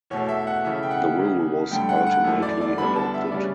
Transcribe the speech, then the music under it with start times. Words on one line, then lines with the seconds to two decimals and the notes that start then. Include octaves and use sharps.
The rule was ultimately adopted.
0.10 E2 B2 A3 C#5
0.29 E5
0.47 F#5
0.64 C#3 E3 A3 E5
0.83 G5
0.91 F#5
1.18 E2 C#3 F#3
1.71 G2 D3 A3 G5
1.89 F#5
2.07 F#5
2.24 F#2 E3 A3
2.42 D5
2.61 D5
2.78 E2 D3 G3 B3 D4 B5
2.96 A5
3.14 E5
3.32 C#3 G3 C#4 D5